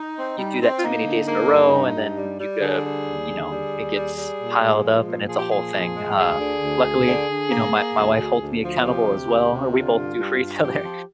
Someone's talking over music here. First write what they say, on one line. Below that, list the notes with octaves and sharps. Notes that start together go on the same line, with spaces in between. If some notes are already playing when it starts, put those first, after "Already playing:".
you do that too many days in a row, and then you give you know, it gets piled up, and it's a whole thing, uh, luckily, you know, my my wife holds me accountable, as well or, we both do for each other,
Already playing: D#4
C4
G3
C4
F4
A#3 D#4
D3
A#3
G2
G2
G2
G3
G3
D3 G#4
G3
D#2
D3
G3
D#2
G3
G3
A#2
G#3
F3
A#2
F3 G#4
G4
A#2 G#4
F3
G#3
D2 G#4
D3
D2
D2
D3
D3
A#3
A#3
D2
D2
D2
F3
C3 G4
D2
D2
C3
D3 F4
G2
G2
G2
F3 G4
F3